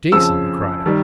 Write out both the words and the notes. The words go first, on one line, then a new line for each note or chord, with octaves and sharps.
"Jason!" he cried out.
F2 C#3 F3 E6
D#3 G3